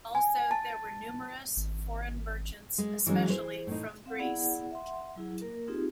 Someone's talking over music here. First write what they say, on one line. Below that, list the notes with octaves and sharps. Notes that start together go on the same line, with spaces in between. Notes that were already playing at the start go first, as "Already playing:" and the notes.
Also, there were numerous foreign merchants, especially from Greece.
G#5
A5
G#1
G#3
E3 F#3 G#3 C#4 D#4
E4 G#4 C5
A2 D#4
C4 F5 F#5
B3 E4 G#4 D5 F#5
E5 F#5 C6
F#3 E4 G#4
A#3 A#4
C4 D#4 F4 G4 G#4